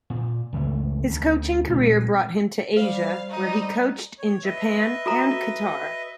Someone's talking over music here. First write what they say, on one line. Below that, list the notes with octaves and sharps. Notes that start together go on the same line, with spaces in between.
His coaching career brought him to Asia, where he coached in Japan and Qatar.
A#2
C#2 E3 G3 A3
D2
A#2 G#3 C4
G3 C5 F5
G3 D#4
C#5
B4 D#5 E5
F#4 A4 A#5